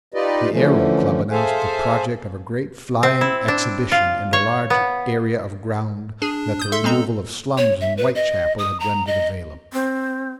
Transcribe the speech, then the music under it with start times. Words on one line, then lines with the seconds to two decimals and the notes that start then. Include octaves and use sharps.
The Aero Club announced the project of a great Flying Exhibition in a large area of ground that the removal of slums in Whitechapel had rendered available.
0.14 D#4 F4 G4 B4 D5 D#5
0.52 D3 E3 F3 A3 C#4
1.31 G#4 A4 C5 E5 F5 G#5
3.03 C4
3.21 E4
3.48 D4
3.92 F4
4.33 C#5
4.70 B3
6.22 D4 G#4
6.59 D#6 G6
6.72 A4 E5 C6
6.84 G#3 C4 A#5
7.57 C#5
7.81 E5
7.97 B4
8.15 D#5
8.58 D#6
8.80 A#5
9.07 D#5
9.73 C4